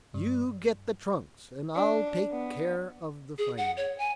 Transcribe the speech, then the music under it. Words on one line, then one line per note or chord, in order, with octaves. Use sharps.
"You get the trunks, and I'll take care of the finances."
G2
D4
B3
G#4
F#5
C#5
G#5